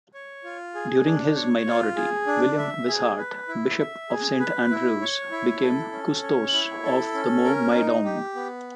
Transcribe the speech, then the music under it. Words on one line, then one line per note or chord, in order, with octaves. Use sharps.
During his minority, William Wishart, Bishop of Saint Andrews, became "custos" of the Mormaerdom.
C#5
F4
G#4
D4
C#5
F4
G#4
D4
E5
G#4
B4
E4
E5
G#4
B4
E4
C#5
E4
A4
C#4
C#5
E4
A4
C#4
A#4
D#4
G4
B3